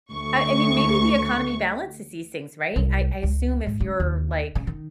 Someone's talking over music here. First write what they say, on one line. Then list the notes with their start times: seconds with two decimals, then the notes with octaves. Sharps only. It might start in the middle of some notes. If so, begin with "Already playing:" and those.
I I mean, maybe the economy balances these things, right? I I assume if you're like
0.14 D2 C#6
2.76 C2
3.23 C#2
3.66 G#2
3.80 C#3
4.00 D#2
4.55 C#3
4.67 D#3